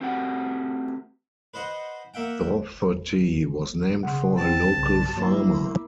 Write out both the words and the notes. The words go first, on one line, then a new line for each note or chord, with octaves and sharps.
Dougherty was named for a local farmer.
A3 C4 F#4 G4 F#5
B4 C5 D#5 F#5
A#3 E5 F#5 G5
C#3 F#5 C6
C4 A5
B1 G2 C#3
F#3 A#3 E4